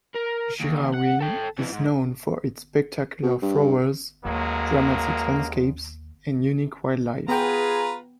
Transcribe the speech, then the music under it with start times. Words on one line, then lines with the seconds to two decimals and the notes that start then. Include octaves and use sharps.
Girraween is known for its spectacular flowers, dramatic landscapes and unique wildlife.
0.16 A#4
0.60 D#2
0.94 F#5
1.21 A4 G5
1.58 F2 E3
1.73 G#2
3.23 B2
3.42 G2
4.25 A1 D#2 F#3 G#3 A#3
7.28 B3 F4 G#4 B4 G5 A#5